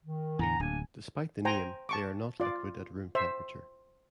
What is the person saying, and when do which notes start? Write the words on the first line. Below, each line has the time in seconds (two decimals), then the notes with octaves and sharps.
Despite the name, they are not liquid at room temperature.
0.04 D#3
0.39 E2 A2 D3 F#5 G#5 A#5
0.59 D1 A#3 D4 G#5
1.45 C5 G5 G#5 A#5
1.89 A5 C#6 D6
2.40 F4 D5
3.15 C5 E5